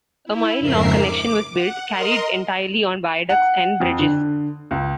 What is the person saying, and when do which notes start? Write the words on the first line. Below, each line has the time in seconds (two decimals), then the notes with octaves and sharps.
A mile-long connection was built, carried entirely on viaducts and bridges.
0.25 E4
0.59 F2 G#2 C#3 A#4 E5 C7
0.93 D6
1.51 F#5
1.87 A#4 D#5 C6
3.29 F#5
3.80 F2
3.99 D3
4.71 C#2